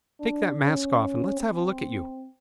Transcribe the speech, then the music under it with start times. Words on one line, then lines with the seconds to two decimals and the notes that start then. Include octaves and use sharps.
"Take that mask off and let's have a look at you."
0.20 D4
0.59 C#4
1.37 C4